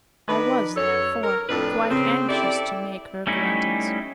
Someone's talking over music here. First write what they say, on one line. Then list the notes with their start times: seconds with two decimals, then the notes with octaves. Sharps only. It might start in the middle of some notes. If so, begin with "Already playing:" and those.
I was, therefore, quite anxious to make her acquaintance.
0.29 D#3 D4 B4
0.76 F#2 A4 C#5
1.23 A#4
1.49 F2 A2 D4 A4 B4
1.90 C#3 C4
2.29 E4 G4 A4 D5
3.27 G3 A3 C#4 D#4 E4